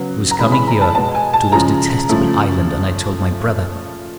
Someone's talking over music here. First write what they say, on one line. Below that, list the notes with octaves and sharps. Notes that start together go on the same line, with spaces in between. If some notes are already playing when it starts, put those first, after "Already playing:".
I was coming here to this detestable island, and I told my brother.
Already playing: C#3 F#3 B3
A#5
C#3 E3 G#3 C#4 B5
B5
A#5
A5
B2 G#3 B3 A5
G#5
A5
C#3 F3 G#3 A#5
C#3 F3 A3